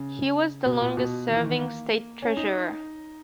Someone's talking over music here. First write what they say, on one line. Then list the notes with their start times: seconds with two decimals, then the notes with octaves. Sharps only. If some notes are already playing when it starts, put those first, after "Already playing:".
He was the longest-serving state treasurer.
Already playing: C#3
0.66 B2
0.81 A#2
0.97 B2
1.28 D#3
1.35 E3
1.45 D#3
1.59 A#3
2.22 C#4
2.37 D#4